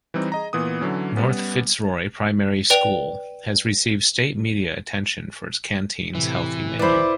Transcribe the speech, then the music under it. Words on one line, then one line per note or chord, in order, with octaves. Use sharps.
North Fitzroy Primary School has received state media attention for its canteen's healthy menu.
E3 G3 C4 D#4
G#4 D#5 A#5
A#2 E3 B3 D#6
D3 E3 F#3 C#4
G3 B3 C#4
B4 D5 G5 F7
A2 C3 E3
E4 B4 C5 D5 B5